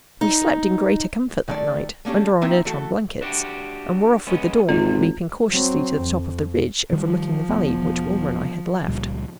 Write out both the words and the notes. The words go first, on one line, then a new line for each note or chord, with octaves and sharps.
We slept in greater comfort that night, under our inertron blankets, and were off with the dawn, leaping cautiously to the top of the ridge overlooking the valley which Wilma and I had left.
D#4
D#3 A3 D5
A3 A#3 C#4 D4 G4
A#3 C4 D#4 E4 E5 G5
E3 A3 F#4 A4
D4 F#4 G4
G#3 B3 C#4
G#1 E2 G#2 C3 F4
F#3 C4
F2
D#3 F3 G3
E1 B3
C#2 A#2 G3